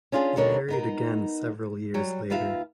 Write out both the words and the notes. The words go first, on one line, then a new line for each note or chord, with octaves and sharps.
He married again several years later.
C#4 D4 F4 F#4 G#4
D#2 D3 G3 A#4 C#5 D#5
B3 D#4 A#4
F#3 G3
D#2 F4 B4 E5 F5